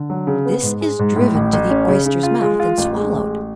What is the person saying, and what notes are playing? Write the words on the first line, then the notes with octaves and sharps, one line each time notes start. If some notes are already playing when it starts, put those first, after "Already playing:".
This is driven to the Oyster's mouth and swallowed.
Already playing: D3
F#3
C#3
B3
G#2
G#3
G#2
A2
A1
A1
C#4
C#3
C#3
F4
G#3
F4
A1
G#3
A1